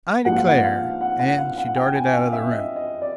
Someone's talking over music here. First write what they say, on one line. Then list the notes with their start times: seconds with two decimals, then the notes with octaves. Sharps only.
"I declare!" and she darted out of the room.
0.25 G#2 F3 A#3 F#5
0.37 F5
0.47 F#5
0.63 F5
1.01 F#5
1.19 F#5
1.38 F5
1.58 F#5
1.76 G5
1.95 G#5
2.13 F5
2.33 E5
2.51 D#5
2.76 D#5
3.02 D5